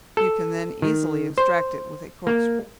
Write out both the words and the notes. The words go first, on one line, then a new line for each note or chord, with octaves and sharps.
You can then easily extract it with a corkscrew.
A4
D#3
C5
A#3